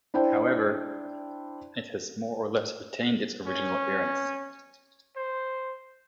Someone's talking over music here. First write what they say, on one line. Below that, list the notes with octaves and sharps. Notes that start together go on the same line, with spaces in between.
However, it has more or less retained its original appearance.
D4 E4 C5 G5
C#4
C5